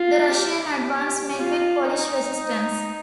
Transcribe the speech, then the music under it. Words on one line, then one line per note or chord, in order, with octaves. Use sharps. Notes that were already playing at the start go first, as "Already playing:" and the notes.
The Russian advance met with Polish resistance.
Already playing: F4
G4
F4
D#4